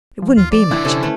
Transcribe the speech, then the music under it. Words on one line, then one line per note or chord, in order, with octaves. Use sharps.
It wouldn't be much.
F3
D#2 F4
F2 D5
D3 E3 E4
C3 C#4 A4 C5
A3 B4